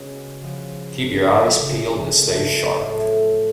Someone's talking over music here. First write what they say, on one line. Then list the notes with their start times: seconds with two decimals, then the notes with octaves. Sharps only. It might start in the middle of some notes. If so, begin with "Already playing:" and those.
Keep your eyes peeled and stay sharp.
Already playing: C#3 G#3 B3 C#4 F#4 G#4 B4
0.42 C#3 F3 B3
1.02 B3 F#4 A4
1.61 C#3 F3 A3 D4 G#4
2.20 A3 F4 B4 D5
2.80 A2 F#3 A3 F4 A4